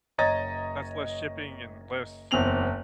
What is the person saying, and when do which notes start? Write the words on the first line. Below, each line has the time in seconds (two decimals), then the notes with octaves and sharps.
that's less shipping and less,
0.18 F#1 C#5 D#5 A#5 A6
2.31 F#1 E2 C4 F7 F#7